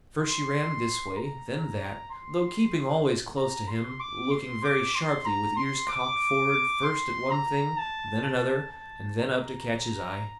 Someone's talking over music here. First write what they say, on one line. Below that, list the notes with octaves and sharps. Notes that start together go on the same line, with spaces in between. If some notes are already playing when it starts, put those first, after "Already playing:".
First she ran this way, then that, though keeping always close to him, looking very sharply with ears cocked forward first at one thing, then another and then up to catch his eye.
C6
A#5
C6
A#5
C6
D6
C6
D6
C6
A#5
C6
D6
C6
A#5
A5
A5
A5
A#5